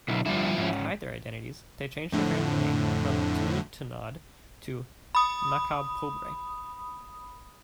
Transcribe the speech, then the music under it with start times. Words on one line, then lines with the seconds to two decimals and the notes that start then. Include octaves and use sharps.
To hide their identities, they changed their family name from Tanudtanod to Macapobre.
0.08 B1 D3 E4
0.26 D3 F3 G3 E4
0.58 G#2 C#4
2.12 F2 A2 D3
5.15 B5 D#6